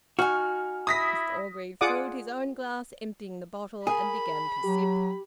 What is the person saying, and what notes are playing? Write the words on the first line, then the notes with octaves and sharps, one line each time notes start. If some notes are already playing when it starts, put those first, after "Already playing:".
Mr Orgreave filled his own glass, emptying the bottle, and began to sip.
D#4 F#4 G#5 F6
E4 D#6 A#6 B6
F4 G#4 D5 F#5 D6 D#6
G#4 A#4 B5
F#3 G4